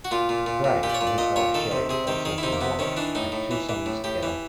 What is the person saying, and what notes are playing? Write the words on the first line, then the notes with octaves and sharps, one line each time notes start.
Gray and his wife Sherry, also from Lubbock, have two sons together.
F#4
A#2 F4
A#2
A#2
A#2
A#2 G4
D5
C#5
A#2
D5
A#2 D#5
A#2 C#5
D#3 A4
C3
C3 G#4
D#3 G4
D#3 G#4
E4
C3 D#4
A#3
C3 B3
D#3 C#4
E3 D4
A2 D#4
A2
E3
E3
A2
A2 G4
E3